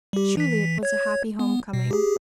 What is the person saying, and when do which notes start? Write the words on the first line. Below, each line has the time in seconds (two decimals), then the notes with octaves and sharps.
Truly it was a happy home coming.
0.13 G3 G4
0.37 E3 B6
0.83 C#5 G#6
1.39 B3
1.73 B2
1.91 G4 G#4